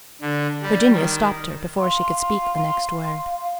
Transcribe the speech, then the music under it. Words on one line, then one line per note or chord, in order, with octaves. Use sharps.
Virginia stopped her before she could speak the next word.
D3
G3
D#3
F5 C6